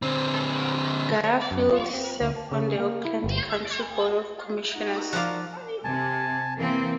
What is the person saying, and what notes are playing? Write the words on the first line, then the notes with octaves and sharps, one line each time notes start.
Garfield served on the Oakland County Board of Commissioners.
D3 C4
F#2
F4
C4
D2
A5
C#3
A#3
E4
G1
D#4 F#4
F3 F4 A#4 D5 F5 D6 F#6
C3 G#5 A5
E3 A#3 C4